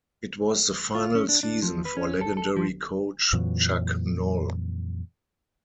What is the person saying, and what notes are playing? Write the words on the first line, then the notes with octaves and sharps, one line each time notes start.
It was the final season for legendary coach Chuck Noll.
F4
C#4
D4
D4
F3
B4
C#4
A4
A4
F3
F2 A#2 E3 F#3